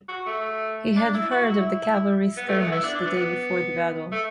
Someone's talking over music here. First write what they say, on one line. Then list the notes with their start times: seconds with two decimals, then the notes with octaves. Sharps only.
He had heard of the cavalry skirmish the day before the battle.
0.09 F#4
0.26 A3
0.97 D4
1.14 E4
1.32 F#4
1.49 E4
2.37 B3
2.48 A3
2.60 B3
2.72 E4
2.84 D4
2.95 D4
3.07 B3
4.12 A3